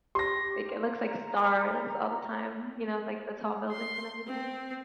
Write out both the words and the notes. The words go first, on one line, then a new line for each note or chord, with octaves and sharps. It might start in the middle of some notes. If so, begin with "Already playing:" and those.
like, it looks like stars all the time, you know, like the tall buildings and everything,
G4 C6 A#6
A#5
C6
C4